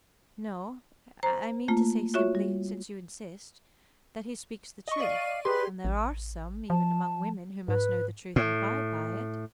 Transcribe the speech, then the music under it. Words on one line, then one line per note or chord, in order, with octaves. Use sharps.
"No, I mean to say simply--since you insist--that he speaks the truth, and there are some--even among women--who must know the truth and abide by it."
C5 A#5
A3 A#3 F4
F4 F#4 C#5 E5 C#6
G3
D#5 C#6
D5 F5 D#7
G4 G#4 B4 C6
A1
F3 A5
G#2 B4
A2